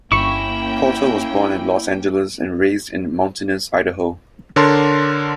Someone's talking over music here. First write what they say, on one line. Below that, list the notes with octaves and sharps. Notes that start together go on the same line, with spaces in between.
Porter was born in Los Angeles and raised in mountainous Idaho.
G1 A#3 C#4 E4 G5 C#6
D3 D4 A#4 C#5 A5 C6